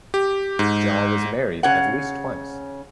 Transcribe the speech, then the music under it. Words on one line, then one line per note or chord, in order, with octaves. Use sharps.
Jaw was married at least twice.
G4
G#2
C#3 C#4 F#5